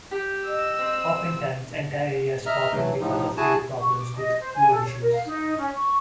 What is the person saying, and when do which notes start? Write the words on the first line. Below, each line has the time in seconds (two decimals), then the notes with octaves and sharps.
Oftentimes, entire areas pop in because of weird problems with load issues.
0.11 G4
0.46 D#5 E6
0.79 C4
2.46 D#5 E5 A#5 F6
2.74 E3 F#3 A3
3.00 A2 F3 D#4
3.37 E4 F#4 G#4 G#5 A5
3.81 C#6
3.98 D6
4.15 D#5
4.38 C5
4.55 G#5
4.70 A4
4.84 C#5
5.00 A#4
5.12 F5
5.25 D#4
5.58 C#4
5.74 C#6